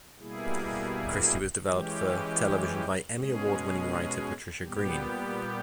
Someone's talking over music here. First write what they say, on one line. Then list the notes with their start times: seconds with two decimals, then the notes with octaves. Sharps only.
Christy was developed for television by Emmy Award winning writer Patricia Green.
0.19 B2 G3 A#3 E4 G#4
1.67 E3 G#3 C#4 G4
3.15 B2 G#3 C#4 G#4
4.63 A#2 G3 B3 G4